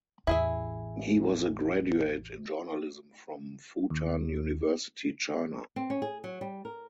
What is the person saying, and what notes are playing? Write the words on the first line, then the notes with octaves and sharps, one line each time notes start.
He was a graduate in Journalism from Fu Tan University, China.
A1 E2 E4 G#4 E5
D#2
C4
C#4
G#4
F#3
G3
A#4